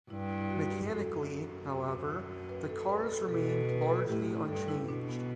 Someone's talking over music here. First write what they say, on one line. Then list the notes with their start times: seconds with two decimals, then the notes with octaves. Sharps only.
Mechanically, however, the cars remained largely unchanged.
0.10 G2 E4
0.30 E4
0.41 E4
0.50 F#4
0.70 G4
0.90 F#2 A4
2.49 B4
2.69 A4
2.89 B4
3.09 A4
3.29 B2 A4
3.49 A4
3.69 B4
3.82 B4
3.88 A4
4.08 A2 G4
4.49 G2 A4
4.68 E4
4.88 B2 D4
5.08 B3